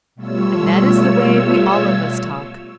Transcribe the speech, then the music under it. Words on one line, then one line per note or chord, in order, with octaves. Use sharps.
And that is the way we all of us talk.
B2 G3 A3 F4 C#5 E6